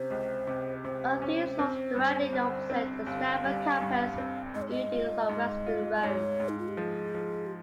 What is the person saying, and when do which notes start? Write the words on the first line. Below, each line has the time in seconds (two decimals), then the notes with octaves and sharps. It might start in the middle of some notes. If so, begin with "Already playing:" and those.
All of these halls are directly opposite the Stafford campus buildings on Weston Road.
Already playing: C3 C#4 C5
0.10 C#2
0.47 C3
0.84 C3 C5
1.22 C#4
1.59 C4
1.96 G2
2.32 G1
2.70 C4
3.06 G1 F5
3.44 G3
3.81 G2
4.18 C4
4.55 G#2 D#5
4.62 C#5
4.70 D#5
4.92 F4
5.29 G#2
5.66 F4
5.95 D#5
6.03 G#2 C#5
6.40 G#2
6.49 D#4
6.59 F4
6.68 G4
6.77 F3 G#4
7.14 F3
7.46 G4